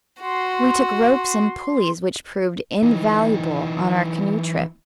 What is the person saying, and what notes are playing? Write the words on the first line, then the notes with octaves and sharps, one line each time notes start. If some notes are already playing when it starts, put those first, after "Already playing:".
We took ropes and pulleys which proved invaluable on our canoe trip.
F#4 C6
E3 D#4